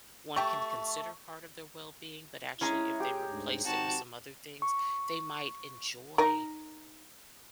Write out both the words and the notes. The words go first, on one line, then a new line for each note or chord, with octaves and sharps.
one can consider part of their well-being? But, actually, if they replace it with some other things, they might enjoy
A3 G4 A5 C#6
G#3 C#4 E4 A#5 C#6
G4 G#4
D2 G#2
G#1 C4 D#4 F#4 A5
C#6
D#4 A#4